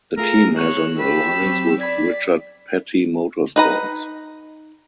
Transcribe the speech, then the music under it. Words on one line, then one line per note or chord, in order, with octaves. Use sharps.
The team has an alliance with Richard Petty Motorsports.
A3 F4 G#4 A#4
C#5 F#6 E7
G4 B5 E6
F#3 C4
D5 B5 G#6 B6
D#4 B4 A#5